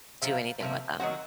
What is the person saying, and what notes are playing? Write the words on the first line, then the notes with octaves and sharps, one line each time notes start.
do anything with them.
C3 F3 A#3
C3 F3 A#3
D#3 F#3 C4 F#4